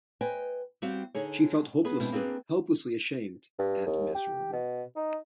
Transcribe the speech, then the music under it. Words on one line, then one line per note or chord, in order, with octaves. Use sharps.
She felt hopelessly, helplessly ashamed and miserable.
B4 C5 D#5 G5 G#5
G3 C4 F#4 F5
D3 D#4 G#4 C#5
B3 G#4 B4
B2 G#3 C4 D4 E4
A#3 C4 D4 G#4 B4
G2
D#2
G4
B2
D#4